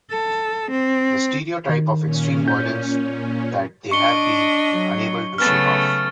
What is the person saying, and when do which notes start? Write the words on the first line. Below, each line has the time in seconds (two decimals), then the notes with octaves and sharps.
The stereotype of extreme violence that they have been unable to shake off?
0.11 A4
0.71 C4
1.69 D#3
2.02 A#2 C#4
2.48 G6
3.91 D4 D#5 C#6 C#7 G7
4.71 F#3
5.38 C#3 F#3 A3 B3 F6 A6